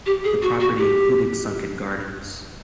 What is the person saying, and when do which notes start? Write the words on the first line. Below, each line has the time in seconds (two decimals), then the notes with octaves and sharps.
The property included sunken gardens.
0.06 G4
0.24 G#4
0.42 F#4
0.60 F#4
0.78 G4